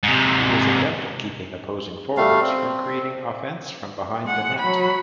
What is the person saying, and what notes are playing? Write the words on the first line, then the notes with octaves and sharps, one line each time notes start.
He was adept at keeping opposing forwards from creating offence from behind the net.
G#2 C3
G3 A3 F5
C4
G#3 F#5
F#3 B5